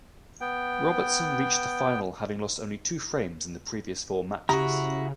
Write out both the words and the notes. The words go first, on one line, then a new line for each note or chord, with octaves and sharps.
Robertson reached the final having lost only two frames in the previous four matches.
B3 G5
C#3 E4 F#4 G4 A#5